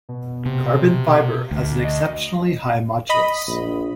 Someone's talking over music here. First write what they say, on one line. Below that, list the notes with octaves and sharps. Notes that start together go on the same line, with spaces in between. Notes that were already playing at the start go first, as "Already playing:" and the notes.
Carbon fiber has an exceptionally high modulus.
B2
C3
D2
D#5
D#5 B5
A#1